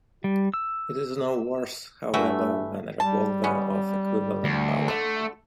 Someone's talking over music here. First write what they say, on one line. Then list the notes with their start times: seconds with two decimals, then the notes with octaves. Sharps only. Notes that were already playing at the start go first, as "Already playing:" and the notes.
It is no worse, however, than a revolver of equivalent power.
0.24 G3
0.54 E6
2.14 G2 E3 A3 F#4 E5
3.00 G3 A5
3.44 B3 C#4
4.44 D2
4.88 D3 A3